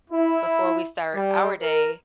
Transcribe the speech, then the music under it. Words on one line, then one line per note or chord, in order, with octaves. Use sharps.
before we start our day,
E4
G3
A#4